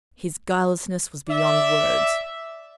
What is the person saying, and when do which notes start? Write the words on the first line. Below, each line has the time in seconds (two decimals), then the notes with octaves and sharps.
His guilelessness was beyond words.
1.29 D5 E5